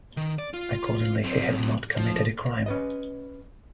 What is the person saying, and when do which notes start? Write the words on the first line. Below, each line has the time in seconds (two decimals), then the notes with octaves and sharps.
Accordingly, he has not committed a crime.
0.17 D#3
0.39 D5
0.54 F4
1.24 F#3 C4
1.97 F3
2.66 C#4 B4 D#5